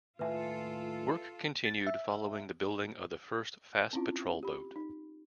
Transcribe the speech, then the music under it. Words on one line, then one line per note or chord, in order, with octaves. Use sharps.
Works continued following the building of the first fast patrol boat.
D#2 A2 F4 A4 B4 E5 G#5
A6
E5
C4 C#4 E4 F4
G4 B5
D#4